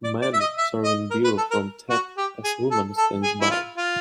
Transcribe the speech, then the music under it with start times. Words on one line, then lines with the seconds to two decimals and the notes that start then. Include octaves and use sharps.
Man serving beer from tap as woman stands by.
0.04 D5
0.22 D5
0.33 E5
0.40 D#5
0.58 E5
0.84 D#5
1.11 A#4
1.24 B4
1.38 A4
1.51 A#4
1.90 F#4
2.17 G4
2.44 G#4
2.71 A4
2.97 A4
3.23 G#4
3.41 E4
3.51 F4
3.77 F4